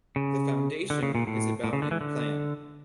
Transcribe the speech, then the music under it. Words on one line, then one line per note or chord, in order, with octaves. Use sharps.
The foundation is about in plan.
C#3
D3
C#3
A#2
A2
A2
C#3
D3
E3
D3